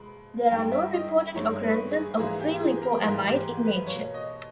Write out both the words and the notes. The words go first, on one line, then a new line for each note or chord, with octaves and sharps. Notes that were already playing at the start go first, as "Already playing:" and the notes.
There are no reported occurrences of free lipoamide in nature.
Already playing: B2 G#3 B5
G2 D#3 G#3 G5
E5
D#5
G2 D#3 G#3 C#5
B4
G#4
G#2 E3 A#3 G#4
G4
G#4
A#4
G#2 E3 A#3 G#4
G4
B4
B2 A#3 C#5
D#5